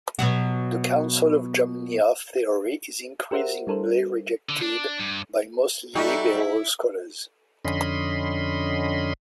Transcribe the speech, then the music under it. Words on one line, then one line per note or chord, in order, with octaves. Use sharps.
The Council of Jamnia theory is increasingly rejected by most liberal scholars.
B2 F#3 F#4
G4 A#4 C5 E5 F#5
G3 D4 A4 A#4 C5
D3
D4
G2
G3 D#4 F#4 A4 E5
E4
F2 D3 C#4 D#5 B5 C6